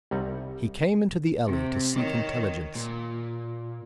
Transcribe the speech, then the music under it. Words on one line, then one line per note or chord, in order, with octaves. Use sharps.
He came into the alley to seek intelligence.
C2 C3 G3 D#4 F#5
C3
D#3 C#5
A#2